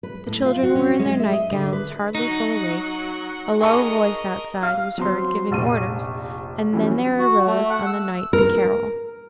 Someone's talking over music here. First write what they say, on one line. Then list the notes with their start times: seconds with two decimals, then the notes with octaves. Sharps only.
The children were in their nightgowns, hardly fully awake; a low voice outside was heard giving orders; and then there arose on the night the carol.
0.03 B4
0.27 A2
0.46 F4
0.63 F#4
0.75 C#4
0.99 G#3
1.19 E5
1.32 D#5
1.51 D3
1.73 B4
2.15 F#3 D#4 F#5
3.61 G#4 A#4 D#5 A5 C#6
4.63 F5 F6
4.98 F#3 C4 C6
5.50 F1 A#1 D#7
6.73 E3 F#3 G3 C#4
7.19 F#4
7.47 A3
7.70 F#5
7.86 E6
8.33 A#4